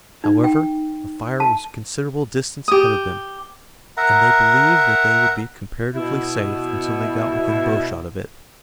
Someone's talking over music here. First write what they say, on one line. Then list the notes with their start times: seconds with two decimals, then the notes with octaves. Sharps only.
However, the fire was a considerable distance ahead of them, and they believed that they would be comparatively safe until they got within bow-shot of it.
0.24 D#4
0.44 G5
1.40 A5
2.68 G4 D#6
3.97 A#4 E5 F#5 A#5
5.95 B2 E4